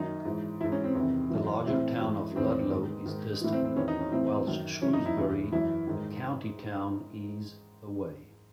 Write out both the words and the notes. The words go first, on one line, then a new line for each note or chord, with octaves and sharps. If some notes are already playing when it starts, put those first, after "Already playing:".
The larger town of Ludlow is distant, whilst Shrewsbury, the county town, is away.
Already playing: F#2 D#3 D#4
G#2 E3
G#2 E3 E4
C#4
C4
E2 C3 D#3 C4
F#2 E3
A2 E3 C4
G#2 E3
E2 D#3 C4
G#2 D#3
G#2 D#3
A2 E3
C4
C4
E2 D#3 C#4
D#4
C#4
A2 E3 C4
F#2 D#3
F#2 E3 C#4
D#4
E4
E2 C#3 E3
F#2 E3 E4
G#2 D#3